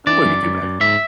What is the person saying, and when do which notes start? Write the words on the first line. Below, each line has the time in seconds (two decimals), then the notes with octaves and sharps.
That wouldn't be too bad.
0.07 E3 D5
0.25 F#2
0.43 F#2
0.62 F#2
0.81 G#2 E5